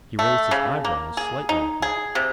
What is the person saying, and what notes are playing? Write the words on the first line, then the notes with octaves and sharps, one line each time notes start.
He raised his eyebrows slightly at that.
A3
C#3
A#3
G#4
D#4
G#4
C3